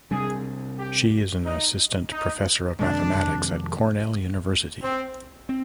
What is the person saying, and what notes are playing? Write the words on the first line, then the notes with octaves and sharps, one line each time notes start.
She is an assistant professor of mathematics at Cornell University.
C3 G3 D4 G#4
G4
D#4
D#4
F2 C3 D#3 G#3 D4
C4
C4